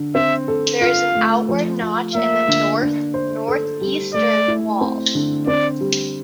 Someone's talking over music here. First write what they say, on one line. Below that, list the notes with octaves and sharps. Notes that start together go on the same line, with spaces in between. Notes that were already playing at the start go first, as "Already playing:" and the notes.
There is an outward notch in the north-northeastern wall.
Already playing: D3
C4 E5
A4
F4 F5
A3
F3
F4
A#3 E5
D3
D4
C5
A4
G3
A3 D5
E4
C4
D3
C4 D5
G3